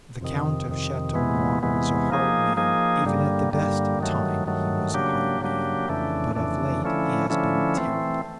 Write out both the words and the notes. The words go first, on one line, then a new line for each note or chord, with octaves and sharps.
The Count of Chateau Noir is a hard man, even at the best time he was a hard man. But of late he has been terrible.
F2 C3 D#3
F2 C3 D#3
E2 C3 E3 G#3 B3
E2 C3 E3 G#3 B3
F3 A#3 D#4 G#4
F3 A#3 D#4 G#4
G2 D3 G3 A#3
G2 D3 G3 A#3
G2 D#3 F#3 A3
G2 D#3 F#3 A3
C#3 F#3 A#3 D4 G4
C#3 F#3 A#3 D4 G4
F2 C#3 E3 A3 D4
F2 C#3 E3 A3 D4
D3 F3 A3 C#4 E4
D3 F3 A3 C#4 E4
E3 A3 C4